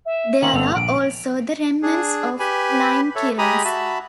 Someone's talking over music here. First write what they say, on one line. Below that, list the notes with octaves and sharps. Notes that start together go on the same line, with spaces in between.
There are also the remnants of lime kilns.
E5
D#3 A#3 C4 F#7
G1 B3 A4 F7
A#1 D7
D4 G#4
G4 B4 G#5 B5
A4 C#5 E5
G#3 G4 G#5 A#5 B5 D#6
F#4 E5 A5 B5